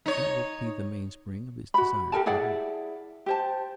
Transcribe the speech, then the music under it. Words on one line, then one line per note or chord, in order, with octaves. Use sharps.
And that will be the mainspring of his desire for her.
D#4 C#5
F#4 B5
G4 A4 A#4 A5
E4 G#4 D5 F#5
G4 C5 A5